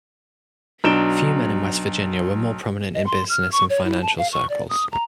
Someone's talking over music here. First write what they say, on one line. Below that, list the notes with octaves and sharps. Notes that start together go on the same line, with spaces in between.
Few men in West Virginia were more prominent in business and financial circles.
B1 F#3 D4 D7 E7 G7
D#5
C6
F6
C#6
C#5
E4
A5
F5
C#6
D5
D#6
A#5